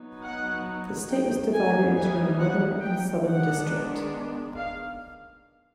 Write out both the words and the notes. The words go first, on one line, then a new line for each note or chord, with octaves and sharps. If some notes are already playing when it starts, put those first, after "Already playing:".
The state was divided into a Northern and Southern district.
Already playing: F#3 B3 D#4
F#5
G5
E3 G3 A#3 D#4 G#5
G#5
F#5
G5
D#3 G#3 B3 D4 F#5
F5